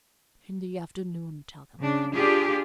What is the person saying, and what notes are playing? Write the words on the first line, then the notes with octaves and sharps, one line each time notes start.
'In the afternoon, tell them.
C#3 D4
D4 F4 G4 G#4